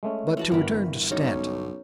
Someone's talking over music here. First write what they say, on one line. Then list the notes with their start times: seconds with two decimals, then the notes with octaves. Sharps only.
But to return to Stanton.
0.03 G#3 A3 C#4
0.37 E3 F#4 A5
0.52 G1 A#4 B4
1.11 B1 C#4 D#4